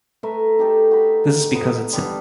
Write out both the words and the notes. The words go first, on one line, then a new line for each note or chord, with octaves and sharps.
This is because it symbolizes good luck and prosperity.
A3 A#4 B4 E5
D#4 G4 A4
F#4 B5
B3
G3 B3 D4